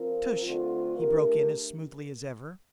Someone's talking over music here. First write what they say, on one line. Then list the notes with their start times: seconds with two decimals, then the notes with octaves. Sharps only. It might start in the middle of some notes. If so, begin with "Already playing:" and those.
"Tush," he broke in as smoothly as ever.
Already playing: F3 C4 F4 A#4
0.43 D3 A3 C4 F4
0.98 A3 D4 G4 A#4